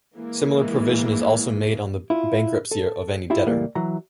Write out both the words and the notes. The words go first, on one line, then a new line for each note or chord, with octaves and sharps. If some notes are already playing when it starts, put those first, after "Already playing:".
Similar provision is also made on the bankruptcy of any debtor.
E3 G#3 A#3
E4 F4
A4
E4 F4 G4
C#2 A2 E3 G3 A#3
E3 F#3 A#5